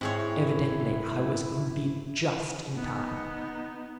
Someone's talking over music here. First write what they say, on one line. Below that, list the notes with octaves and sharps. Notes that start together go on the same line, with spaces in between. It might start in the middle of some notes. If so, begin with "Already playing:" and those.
Evidently I was only just in time.
G#2 C4 E4 G#4 C#5
B3 D#4